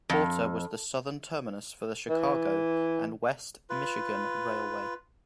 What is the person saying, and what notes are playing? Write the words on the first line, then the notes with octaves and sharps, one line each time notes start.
Porter was the southern terminus for the Chicago and West Michigan Railway.
F2
E3
F4 B4